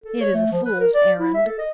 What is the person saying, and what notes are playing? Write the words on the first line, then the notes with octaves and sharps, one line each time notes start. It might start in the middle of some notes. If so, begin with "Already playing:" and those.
"It is a fool's errand."
A4
C#5
A3
F3
B4
A#4
D5
E4
E5
A4
D#5